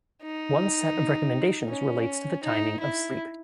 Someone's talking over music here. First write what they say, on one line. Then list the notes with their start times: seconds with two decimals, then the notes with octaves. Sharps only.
One set of recommendations relates to the timing of sleep.
0.22 D#4
1.69 C#4
2.43 D#4
2.80 E4